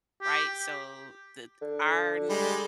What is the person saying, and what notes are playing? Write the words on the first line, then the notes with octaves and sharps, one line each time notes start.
right? So the our n
G4
D3
G3 G#3